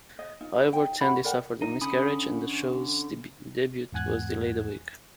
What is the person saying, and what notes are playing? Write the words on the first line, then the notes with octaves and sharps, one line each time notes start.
However, Tandy suffered a miscarriage and the show's debut was delayed a week.
D#5
D#4 F4
B4
D#4 G5
F#4 F#5 B5
A#4 D5 F#5 G5
D#4
D3 C#4 B5 D#6
E2 G#2 F#5 G#5 F#6 G#6